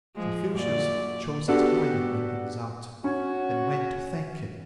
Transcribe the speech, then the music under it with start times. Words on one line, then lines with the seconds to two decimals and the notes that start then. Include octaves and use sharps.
Confucius chose a time when he was out, and went to thank him.
0.16 F3 G#3
0.52 F#2 A#2 D5
1.48 B3 D4 F#4 G4 A4
3.04 C#4 F#4